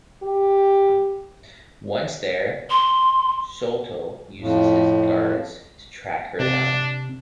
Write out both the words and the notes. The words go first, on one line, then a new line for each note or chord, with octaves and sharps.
Once there, Sholto uses his guards to track her down.
G4
C6
F2 A2
C3 D4